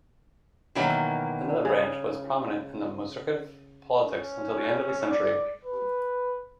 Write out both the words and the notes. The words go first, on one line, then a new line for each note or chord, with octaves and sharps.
Another branch was prominent in the Muscovite politics until the end of the century.
B2 D#3 E3 F#3 A#3
C#3 G#4
C#4
D5
B4